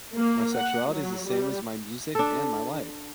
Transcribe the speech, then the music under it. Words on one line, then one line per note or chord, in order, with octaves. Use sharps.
My sexuality is the same as my music and my life.
A#3
F#5
F#3
G3
D4 A4